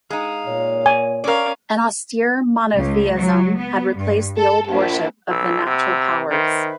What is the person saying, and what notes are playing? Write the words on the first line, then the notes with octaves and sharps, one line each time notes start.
An austere monotheism had replaced the old worship of the natural powers.
G#3 D#4 F5
A#2 C#5
G#5
C#4 A#4 D5 F5
C#2
F#3
B3
G2
A4
A#1
B1 B4 E6
C3 F#5 B5 E6
D#3 B4 C5 E5